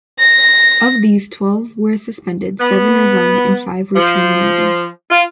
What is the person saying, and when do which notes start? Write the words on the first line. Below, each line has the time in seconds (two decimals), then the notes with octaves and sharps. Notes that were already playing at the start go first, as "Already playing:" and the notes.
Of these, twelve were suspended, seven resigned, and five were terminated.
0.19 A#6
2.60 B3
3.95 F3
5.09 F4